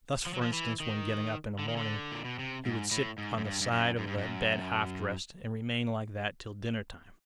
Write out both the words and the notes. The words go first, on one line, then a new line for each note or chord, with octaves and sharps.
Thus, for instance, when getting up in a morning he would sit on the side of the bed half-dressed, and remain like that till dinner time.
F3
F#3
F3
E3
D#3
D3
D#3
D3
A#2
B2
C3
G#2
A2
G#2
F#2
G2
G2
F#2
F#2
G2
F#2